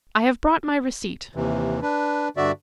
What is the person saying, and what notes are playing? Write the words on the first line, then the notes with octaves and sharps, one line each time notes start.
"I have brought my receipt."
D#2 C3 E3
D4 B4
G2 D3 F#4 D5 E5